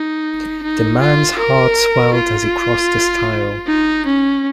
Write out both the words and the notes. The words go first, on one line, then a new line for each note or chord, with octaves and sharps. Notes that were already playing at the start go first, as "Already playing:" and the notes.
The man’s heart swelled as he crossed the stile.
Already playing: D#4
D#4
F4
A#4
F4
D#4
C#4